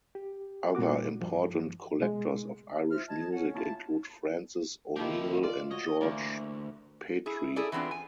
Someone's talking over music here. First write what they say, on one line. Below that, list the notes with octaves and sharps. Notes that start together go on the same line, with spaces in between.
Other important collectors of Irish music include Francis O'Neill and George Petrie.
G4
A#2 G3 F#4 D6
G2 F3
B2 G#3
F4 C5 E5 F6
D#5 A5 G#6
C#4 F#5
A#3 E4 F4 A5
D#3 F3 A#3 E4 G4
F4 D5
F#4 C#5 D#5
D2 E3 A#3 D5
E4 G#4
E4 G#4 A4 D5
E3 B3 C4 D4 F4
G#5